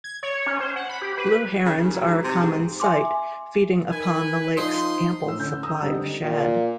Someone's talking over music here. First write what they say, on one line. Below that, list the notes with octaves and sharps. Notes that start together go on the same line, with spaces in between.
Blue Herons are a common sight feeding upon the lake's ample supply of shad.
G#6
C#5
C#4
C5
F#5
B5
G4
B4
C#3
D#2
F#3
G#2
C3
G#2
E5 G#5 C6 D6
D#3 B4 G#5
F3 D#4 C6
A2 E6
D3 C#4 G6
A#5 D#6 E6
D3 G3 C4 D4 D#4
A#2